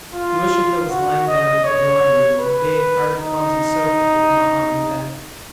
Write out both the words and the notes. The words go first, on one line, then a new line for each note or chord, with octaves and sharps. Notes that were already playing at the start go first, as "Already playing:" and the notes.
Grushenka was lying down in her drawing-room on the big, hard, clumsy sofa, with a mahogany back.
F4
F#4
D#5
C#5
B4
D#4